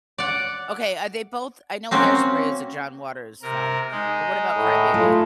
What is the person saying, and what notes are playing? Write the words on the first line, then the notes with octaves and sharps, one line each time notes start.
Okay, are they both I know Hairspray is a John Waters film, but what about Cry-Baby?
D5 F#5
A#3 C4 C#4 F#4
C3 A#4
G#3 D#4
A2
A3 F4